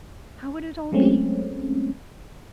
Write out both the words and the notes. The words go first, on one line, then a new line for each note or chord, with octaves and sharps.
How would it all be?
F#3 G#3 A3 C4 C#4